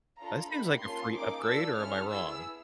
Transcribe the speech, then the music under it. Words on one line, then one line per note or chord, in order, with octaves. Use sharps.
That seems like a free upgrade, or am I wrong?
D4 F4 A4 A#5
A#3 D#4 G4 B5
A#3 C#4 F4 A4 C6
A#3 D#4 G#4 D6
D4 F4 A4 E6
C#4 E4 A4 F6
B3 E4 G#4 E6